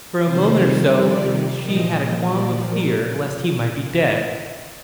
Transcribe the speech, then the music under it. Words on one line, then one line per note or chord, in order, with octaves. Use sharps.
For a moment or so she had a qualm of fear lest he might be dead.
F2 C3 D#3 G3 C5
D5
A#2 F3 D#5
D5
A#4